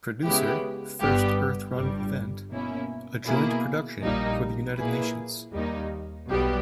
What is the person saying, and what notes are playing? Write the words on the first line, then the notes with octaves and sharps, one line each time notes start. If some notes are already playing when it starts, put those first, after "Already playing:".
Producer, First Earth Run event, a joint production for the United Nations.
C#3 G#3 B3 E4 G4
G1 G2 G3 B3 G4
G1 G2 G3
B2 A#3 C#4 E4
B2 A#3 E4 G#4
A#1 A#2 G3 A#3 D#4
A#2 A#3 E4 G#4 B4
D#2 D#3 G3 A#3 D#4
B1 B2 G3 B3 G4